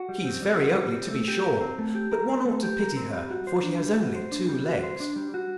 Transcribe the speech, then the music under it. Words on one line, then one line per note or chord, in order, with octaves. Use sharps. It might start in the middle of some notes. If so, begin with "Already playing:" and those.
She is very ugly to be sure, but one ought to pity her for she has only two legs.'
Already playing: F#4
G3
C4
G3
F#4
G3
C4
A3
G4
A#4
C4
A3
G4
A#4
C4
A3
G4
A#4
C4
G3
F#4
C5
D4
G3
F#4
C5
D4
G3
F#4
C5
D4
G3
F#4